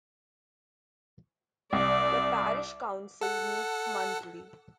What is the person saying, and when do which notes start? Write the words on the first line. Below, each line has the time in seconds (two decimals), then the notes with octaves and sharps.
The Parish Council meets monthly.
1.73 C2 D5
3.21 A4 F#5